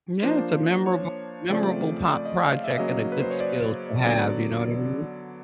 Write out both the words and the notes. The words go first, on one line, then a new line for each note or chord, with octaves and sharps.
Yeah. It's a memorab memorable po project and a good skill to have, you know what I mean?
F3 A#3 D4 C5
C#5
C#3 F3 A3 C4 D5
D5
D#5
D5
F5
E5
C#3 F#3 A#3 D#5
B4
C5
C#5
D5
D3 F#3 B3 D5